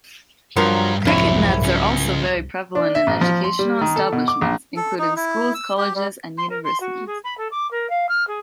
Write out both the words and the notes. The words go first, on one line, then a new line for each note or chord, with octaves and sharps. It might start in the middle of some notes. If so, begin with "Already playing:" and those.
Cricket nets are also very prevalent in educational establishments; including schools, colleges and universities.
G2 F3 F#3 A#4
C2 F2 G#2 F#3 A#3 E4 C#5
C#2 C#4
D4
E5
A1
F3
C6
G3
D#3
A4
B2
D6
A#1
A4
D#4
E4
E6
G4
G3
C6
A#4
C6
F#4
G#4
B5
A4
D6
A#4
F5
F6
G#4